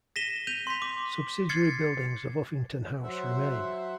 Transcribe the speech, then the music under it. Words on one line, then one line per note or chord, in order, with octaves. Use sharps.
Subsidiary buildings of Uffington House remain.
A#6 B6 D#7 E7 G7
G6 D#7 F7
C6 B6
D6
F6 G#6 A6 C7 C#7
F#3 C5 E5 F#5